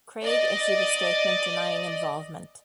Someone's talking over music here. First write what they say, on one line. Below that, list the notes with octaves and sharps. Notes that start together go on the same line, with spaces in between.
Craig issued a statement denying involvement.
D5 D#5